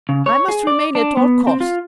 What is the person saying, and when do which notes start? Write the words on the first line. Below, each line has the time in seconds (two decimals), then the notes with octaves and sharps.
I must remain at all costs!
0.09 C#3
0.26 C#5
0.48 G#4
0.67 D5
0.95 D4
1.17 B3
1.47 C4
1.61 F4